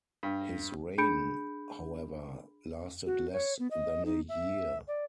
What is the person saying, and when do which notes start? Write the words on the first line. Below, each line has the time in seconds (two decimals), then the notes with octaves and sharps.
His reign, however, lasted less than a year.
0.23 G2
0.98 D4 G#4 B5 G6 C#7 D7
3.06 F#4
3.33 C#5
3.59 B3
3.71 D#5
4.05 D#4
4.29 E5
4.88 D5